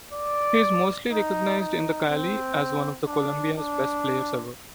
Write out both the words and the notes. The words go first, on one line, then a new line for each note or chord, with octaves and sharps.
He is mostly recognized in Cali as one of Colombia's best players ever.
D5
D#4
D#4
C4
D4
D4